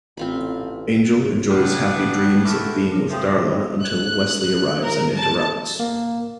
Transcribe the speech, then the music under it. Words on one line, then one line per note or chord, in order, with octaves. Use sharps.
Angel enjoys happy dreams of being with Darla until Wesley arrives and interrupts.
A1 C4 F4 B5
A#2 C#3 G3 B3 D4 F6
F#4 B4
D3 E3 A3 C#6 F6
A#2 C#3 A#4
F3 E5 G5 D#6
F#6
A#4
A5
A#3